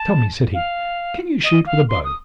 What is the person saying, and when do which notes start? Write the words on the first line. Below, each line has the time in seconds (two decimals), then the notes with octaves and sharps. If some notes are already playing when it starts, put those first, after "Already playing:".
"Tell me," said he, "can you shoot with a bow?"
Already playing: A5
0.54 F5
1.44 D#5
1.66 F5
1.89 C6
2.04 D#6